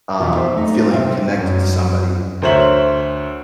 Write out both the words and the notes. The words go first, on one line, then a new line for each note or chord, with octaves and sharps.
um, feeling connected to somebody.
E2 B2 F4
D#4 C5 D#5 E5
A3 D#4
C3 C4 F5 G5
F#2
D2 A#4 C5 C#5 E5 F#7